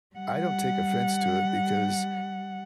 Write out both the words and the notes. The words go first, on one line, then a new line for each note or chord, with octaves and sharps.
I don't take offense to it because,
G3 F#5